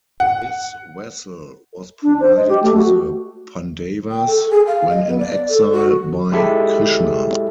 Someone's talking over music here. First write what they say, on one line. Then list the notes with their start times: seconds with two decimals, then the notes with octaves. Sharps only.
This vessel was provided to the Pandavas, when in exile, by Krishna.
0.20 F#5
2.03 D4
2.20 C5
2.37 D#5
2.49 G4
2.63 A3
2.75 F#4
4.10 G5
4.27 A4
4.50 G#4
4.67 F5
4.89 D#5
5.07 B3
5.19 D5
5.49 A4
5.72 F#4
6.32 G#3 E4 G4 A4 E5